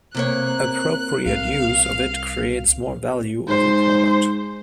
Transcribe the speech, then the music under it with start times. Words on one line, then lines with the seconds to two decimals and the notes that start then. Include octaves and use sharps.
Appropriate use of it creates more value of the product.
0.15 C3 A#3 C#5 F#6
1.26 C2 F5
3.48 G#2 C5